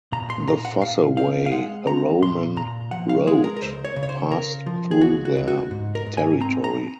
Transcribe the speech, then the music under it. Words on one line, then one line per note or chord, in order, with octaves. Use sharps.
The Fosse Way, a Roman road, passed through their territory.
A#2 A#5
C6
A#2 A#5
F#5
A#2 F5
C4 F5
F5
G#3 F#5
C4 A#5
A#2 C6
A#2 A#5
F3 F#5
F5
G#3 G#4
A#4
A#4
C#2 C5
C#5
C#3
C#5
C5
C#3 A#4
F3
G#4
C#2 F#4
F#4
C#2
F#4
G#2
A#4
G#2
G#5
C4 A#5
A#5